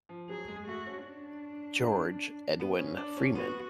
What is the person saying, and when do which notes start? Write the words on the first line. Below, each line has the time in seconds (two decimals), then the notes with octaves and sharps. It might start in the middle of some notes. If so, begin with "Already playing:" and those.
George Edwin Freeman.
0.09 F3
0.29 F#3 G#4
0.48 G#3
0.67 A3 F#4
0.86 C#4
1.05 D4
2.60 B3
2.79 C#4
2.97 D4
3.17 C#4
3.35 B3 F#4